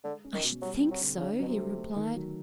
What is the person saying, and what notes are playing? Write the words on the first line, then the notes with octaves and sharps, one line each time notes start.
"I should think so!" he replied.
D3 G#3
C#4
D#3
B2
F#3 G3
C4
F#3
D3
C#3 D4
B2 F#3
C3
A3
A3
D#3
F#3